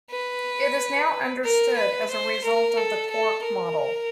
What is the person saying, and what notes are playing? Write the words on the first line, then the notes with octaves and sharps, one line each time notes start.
It is now understood as a result of the quark model.
B4
A#4
B4
C5
A#4
A4
A4
A#4